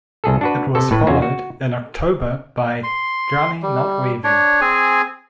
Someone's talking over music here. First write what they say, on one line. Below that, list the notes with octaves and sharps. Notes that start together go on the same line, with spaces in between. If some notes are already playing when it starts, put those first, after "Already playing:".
It was followed, in October by "Drowning Not Waving".
C2 G#4 A4
D4 F#4 B4
C3 A4
A2 B4
E2 C#4 F4 F#4
F#4
C6
G3
D4 C#5
C4 G#4 G#5